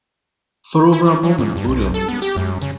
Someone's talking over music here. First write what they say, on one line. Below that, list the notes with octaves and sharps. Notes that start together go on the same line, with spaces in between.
For over a moment Gloria made no sound.
E4
F3
F#3
G#2
G2
B1
A4
B3
G4
F#2
C#3